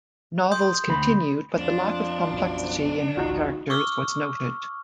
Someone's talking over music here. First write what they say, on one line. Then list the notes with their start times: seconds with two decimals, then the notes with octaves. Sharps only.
Novels continued but the lack of complexity in her characters was noted.
0.52 C6 D#6 G6
0.88 D2 B5
1.58 F2 F3 D4
2.32 B1 F#2 B2
3.17 A1 D2 A2 D#4 F4 F#4
3.70 C#6 D6 E6 F6